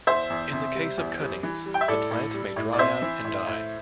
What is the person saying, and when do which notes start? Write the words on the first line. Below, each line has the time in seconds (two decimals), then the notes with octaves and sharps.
In the case of cuttings, the plant may dry out and die.
0.07 E2 C5 E5
0.30 E2
0.52 C3
0.75 G3
0.98 E2
1.20 G3
1.43 E3
1.66 G3
1.74 G5
1.81 E5
1.88 A2 A4 D5
2.11 A2
2.34 G3
2.56 A2
2.73 D5
2.79 C4 C5 E5
3.02 E3
3.25 A2
3.47 A2